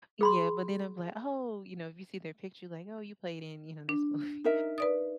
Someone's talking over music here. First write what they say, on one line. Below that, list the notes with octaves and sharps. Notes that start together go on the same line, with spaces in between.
Yeah, but then I'm, like, "Oh," you know, if you see their picture, like, "Oh, you played in, you know, this movie.
G#4 B5 C6
D4
D#4 A#4 E5
B4 D5 D#6